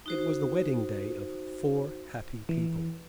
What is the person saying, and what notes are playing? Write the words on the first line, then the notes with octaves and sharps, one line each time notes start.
It was the wedding-day of four happy people.
D#4 F#4 C5
E3